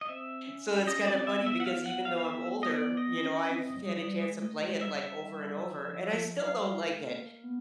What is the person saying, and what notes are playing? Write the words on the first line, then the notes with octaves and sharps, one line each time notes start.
so it's kind of funny because even though I'm older, you know, I've had a chance to play it like over and over, and I still don't like it.
D#5
C4 E5
C#4
C#4 D#5
D5
C4
E5
B3
E5
F#5
F5
F#5
F5
F5
E5
D#5
D5
D#5
C4
C#4
C4
F#3
G3
F#3
G3
G#3
A3
G#3
G3 E5
F#3
F3
F3
F#3 F5
G3
G#3
A3
A#3
B3